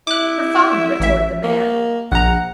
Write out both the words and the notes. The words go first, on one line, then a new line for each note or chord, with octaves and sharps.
"For fun," retorted the man.
E4 D6 F#6
A1 E5
A#3
A#1 F#5 A#5